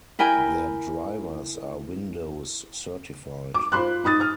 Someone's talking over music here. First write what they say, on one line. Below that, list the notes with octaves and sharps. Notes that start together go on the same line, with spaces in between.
Their drivers are Windows certified.
E4 A#4 G5 G#5
D6
F4 C5 B5 C6 F#6
D#4 B5 D#6 A6
D#6 F6